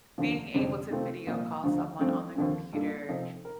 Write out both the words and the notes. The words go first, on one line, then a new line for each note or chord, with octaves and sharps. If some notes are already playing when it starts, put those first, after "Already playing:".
Being able to video call someone on the computer,
F1 D#2 D3 F3
G1 F2 C3 G3 C4
C3 D#3 A3 C4 F4
C2 A#2 F3 A#3 F4
D2 D3 F3
G2 F3 A3 C4
D#2 D3 F3 C4
G2 D#3 A#3 F4 A4
C3 F3 C4 D#4 A4
A#4